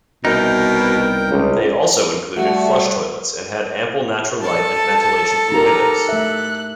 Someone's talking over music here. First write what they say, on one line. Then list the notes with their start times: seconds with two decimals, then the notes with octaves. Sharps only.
They also included flush toilets and had ample natural light and ventilation from windows.
0.25 C2 B2 D#4 A#4 G5
1.31 C#2
2.37 G3 A3 F#4
4.43 A4 A5
5.52 D#4 G4 A#4 A#5
6.09 A3 E5 F#6